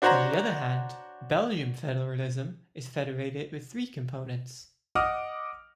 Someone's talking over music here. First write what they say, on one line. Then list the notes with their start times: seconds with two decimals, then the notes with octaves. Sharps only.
On the other hand, Belgian federalism is federated with three components.
0.02 D4 F#4 C5 C#5 F#5 A#5
4.95 D#5 F#5 D6 D#6 F6